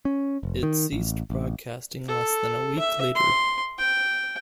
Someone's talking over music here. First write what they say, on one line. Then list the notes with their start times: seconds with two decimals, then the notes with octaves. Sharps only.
It ceased broadcasting less than a week later.
0.05 C#4
0.43 F1
0.63 D#3
0.93 A1
1.30 A1
2.08 A4
2.79 E5
3.15 C6
3.78 G5